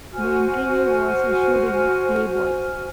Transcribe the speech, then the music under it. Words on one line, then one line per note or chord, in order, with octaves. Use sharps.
The interview was issued in "Playboy".
F#4 C5 G#5 F6